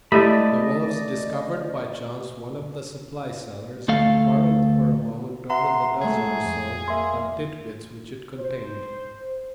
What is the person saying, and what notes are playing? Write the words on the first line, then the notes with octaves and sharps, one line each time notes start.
The wolves discovered by chance one of the supply cellars, and quarreled for a moment over the dozen or so of tit-bits which it contained.
G#3 A3 E4 G4 D5 D#5 B5
D2 A3 A4 F5
E5 F#5 A#5 C6
G#3 A3 G#4
F2
A#3 E5 C6
C5